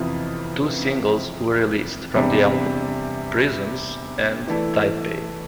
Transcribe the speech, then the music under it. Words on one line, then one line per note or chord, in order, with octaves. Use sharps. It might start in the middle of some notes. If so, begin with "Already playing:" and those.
Two singles were released from the album, "Prisms" and "Taipei".
Already playing: F2 C3 E3 B3 F4
E2 C3 G3 D4
E3 A3 E4 A4 D5